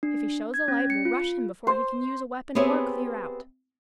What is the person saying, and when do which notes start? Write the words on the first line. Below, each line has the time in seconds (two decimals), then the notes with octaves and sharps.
If he shows a light, we'll rush him before he can use a weapon or clear out.
0.03 D4
0.54 G#6
0.68 C#4
0.90 C#7
1.05 F4
1.67 C5
2.55 B3 C4 G4 G#4 C#5 E5